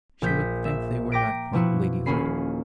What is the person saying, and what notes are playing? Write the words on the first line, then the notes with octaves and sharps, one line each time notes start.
She would think they were not quite ladylike.
A#1 G6 B6
E5
G5 A#5 D6 A#6 B6 D7
B2 F3 E4 F#4
D#1 D#3 A#3 C#4 B5 C7